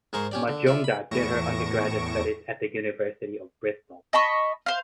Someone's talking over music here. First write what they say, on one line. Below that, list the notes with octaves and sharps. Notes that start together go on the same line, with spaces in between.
Majumdar did her undergraduate studies at the University of Bristol.
G#2 G#4 A#4 C5 C#6
C#4 G4 D5
D3
F4 D5 E5
B5
E2 A2 C#6 A#6 D7 E7
D#5 A5 B5 C#6
C5 F5